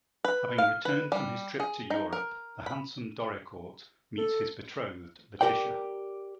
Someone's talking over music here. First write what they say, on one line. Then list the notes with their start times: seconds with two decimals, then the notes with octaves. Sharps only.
Having returned from his trip to Europe, the handsome Doricourt meets his betrothed, Letitia.
0.24 B4
0.58 F5
0.85 B4
1.12 G3
1.60 G#4
1.90 D#4
2.13 A#4
2.66 B5
4.18 A4
5.41 G4 A#4 D5 G5